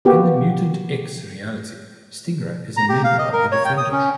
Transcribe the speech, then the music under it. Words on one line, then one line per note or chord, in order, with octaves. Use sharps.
In the "Mutant X" reality, Stingray is a member of the Defenders.
A#3 B3 F#4 G4
A#5
G4
F5
D#5
A#4
C#5
G5
D#6
C#4